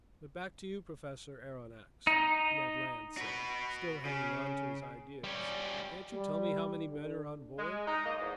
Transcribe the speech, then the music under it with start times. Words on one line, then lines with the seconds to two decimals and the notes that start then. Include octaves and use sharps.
But back to you, Professor Aronnax," Ned Land said, still hanging on to his ideas. "Can't you tell me how many men are on board?
2.07 D#4
3.18 F#4 B4
4.05 C#3
5.24 G3 C#4
6.12 G3
6.90 D3
7.59 G#3
7.87 D#4
8.06 F#2 A#3 D#5
8.19 E2 G#2